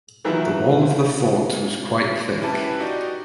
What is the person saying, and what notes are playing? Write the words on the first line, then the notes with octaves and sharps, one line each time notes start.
The wall of the fort was quite thick.
D#3 E3 F#3 B3 E4 F4
C#4 E4 G4 B4 A5
D#4 F#4 G4 D5 D#5